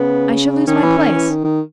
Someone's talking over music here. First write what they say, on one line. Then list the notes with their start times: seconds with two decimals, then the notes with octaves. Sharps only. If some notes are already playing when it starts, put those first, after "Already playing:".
'I shall lose my place.
Already playing: C#3 B3
0.67 D#3 C#4
0.82 E3
0.98 D#3
1.14 E3
1.30 D#3
1.44 D#3